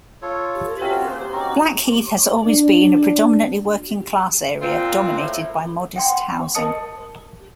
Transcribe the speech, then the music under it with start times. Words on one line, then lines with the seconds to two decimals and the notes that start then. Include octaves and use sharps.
Blackheath has always been a predominantly working class area dominated by modest housing.
0.22 F4 A4 C#5
0.81 C3 C4 C#4 F4 F#4
1.04 A#3 G#4
1.33 C4 C#4 D#4 F#4
1.49 B2
2.45 D4
4.62 A#2 C4 F4
5.18 A2
5.96 F#5 G5 C6
6.55 A#4 D#5 A5 D#6 C#7